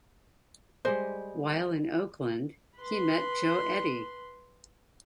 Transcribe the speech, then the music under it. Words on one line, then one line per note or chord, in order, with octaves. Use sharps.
While in Oakland, he met Joe Edy.
G3 G#3 C5 D#5
B4 C6